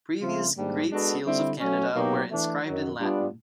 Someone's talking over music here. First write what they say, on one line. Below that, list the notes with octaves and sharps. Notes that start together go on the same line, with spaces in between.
Previous Great Seals of Canada were inscribed in Latin.
C#3 F3 A3 C4 F4
G#2 D#3 G3 A#3 D4
G#3 B3 D4 F#4 A4
D3 G3 C4 E4
F#3 A3 C#4
B2 F#3 A#3 D#4 G4
E3 A3 D4
F#2 D#3 F#3
G3 B3 D4 F4